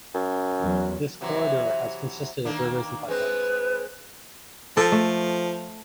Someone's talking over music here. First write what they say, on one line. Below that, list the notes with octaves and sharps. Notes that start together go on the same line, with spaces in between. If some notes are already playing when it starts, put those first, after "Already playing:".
This corridor has consisted of rivers and plateaus.
F#2
E2 F#3
C3 E3 F#3
D#3 A#3 D4
G#3 C4 B4
F3 A4
A3